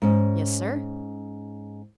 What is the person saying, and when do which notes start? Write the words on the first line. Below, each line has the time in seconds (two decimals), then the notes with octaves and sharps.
"Yes, sir."
0.02 G#2 C#4